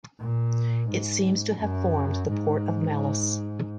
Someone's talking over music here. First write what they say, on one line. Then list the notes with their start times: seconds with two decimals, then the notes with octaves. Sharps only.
It seems to have formed the port of Mallus.
0.20 A#2
0.90 G#2
1.59 F#2
2.28 G#2